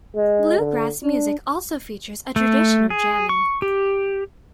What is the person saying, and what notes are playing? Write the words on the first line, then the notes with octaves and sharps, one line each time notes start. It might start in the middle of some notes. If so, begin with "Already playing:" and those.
Bluegrass music also features a tradition of jamming.
G#3
D3
D4
A3
G#4
C#6
G4